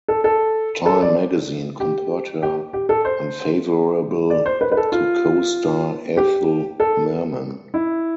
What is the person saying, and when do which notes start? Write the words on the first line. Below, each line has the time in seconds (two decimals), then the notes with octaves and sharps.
"Time magazine" compared her unfavorably to co-star Ethel Merman.
0.08 A4
0.24 A4
0.86 A4
1.02 D5
1.80 G4
2.43 G4
2.73 G4
2.89 A4
3.05 C5
4.30 D5
4.46 C5
4.61 B4
4.72 B4
4.77 A4
4.92 F4
6.17 G4
6.80 A4
7.74 E4